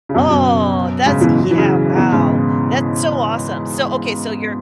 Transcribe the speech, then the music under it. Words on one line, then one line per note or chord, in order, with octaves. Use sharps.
oh! That's yeah, wow. That's so awesome. So, okay. So you're
C#3
F#2 B2
F#2 B2
G#2 C#3
B2 E3
F#3
E3
C#3 F#3
C#3
B2 E3
G#2 C#3